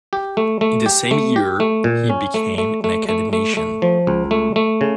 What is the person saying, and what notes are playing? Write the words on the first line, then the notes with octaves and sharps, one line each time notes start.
In the same year he became an Academician.
G4
A3
A3
G4
A3
G4
A3
A#2
C#4
A3
A3
A3
A3
A3
A3
F3
C#2
A3
A3
C#3